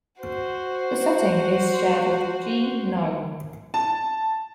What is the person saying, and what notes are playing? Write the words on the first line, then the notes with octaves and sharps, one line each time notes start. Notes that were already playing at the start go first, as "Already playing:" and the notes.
The setting is shared with G-Nome.
F#4 C5
A5